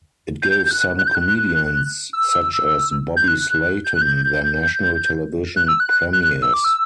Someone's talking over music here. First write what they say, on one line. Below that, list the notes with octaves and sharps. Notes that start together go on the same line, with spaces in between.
It gave some comedians, such as Bobby Slayton, their national television premieres.
G6
G6
F#6
F#6
G6
F#6
E6
G6
F#6
G6
F#6
G6
F#6
E6
F#6
F#6
E6
D6
E6